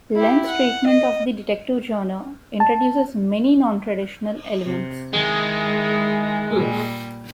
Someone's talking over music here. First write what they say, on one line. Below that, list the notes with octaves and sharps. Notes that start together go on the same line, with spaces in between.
Lem's treatment of the detective genre introduces many nontraditional elements.
E4 G4
F#5
D#5
A5
C3
D#3 G#3 E4
A#2 G3